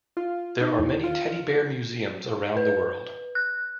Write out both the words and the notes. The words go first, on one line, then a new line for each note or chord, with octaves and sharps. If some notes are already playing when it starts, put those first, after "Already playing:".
There are many teddy bear museums around the world.
F4
D#4
E2
F4
B4
F#6